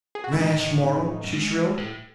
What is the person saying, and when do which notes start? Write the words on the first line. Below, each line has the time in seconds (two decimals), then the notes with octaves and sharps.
"Rash mortal!" she shrilled.
0.15 G#4
0.24 F#4
0.32 G#2 E4
0.41 A2 D#4
1.23 F#2
1.32 G#2
1.77 A2